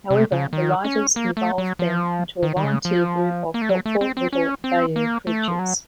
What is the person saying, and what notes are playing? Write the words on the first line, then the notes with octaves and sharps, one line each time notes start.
However, the writers evolved them into a volunteer group of helpful little bayou creatures.
C3
C#3
D#3
C#4
A#3
A3
F#3
F3
D#3
D#3
C#3
F3
A#3
A3
F#3
A3
C4
C4
C#4
C4
A#3
A3
F3
F#3